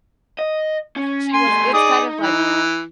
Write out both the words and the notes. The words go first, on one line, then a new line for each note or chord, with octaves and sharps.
She was it's kind of like
D#5
C#4
G#5 C6
G3 A3
D#4 G#4 D5 D#6
E3